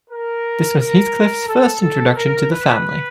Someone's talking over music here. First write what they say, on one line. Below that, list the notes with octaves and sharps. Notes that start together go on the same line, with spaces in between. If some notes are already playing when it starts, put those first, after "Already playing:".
This was Heathcliff’s first introduction to the family.
A#4
A#4
A4
A4
A#4
B4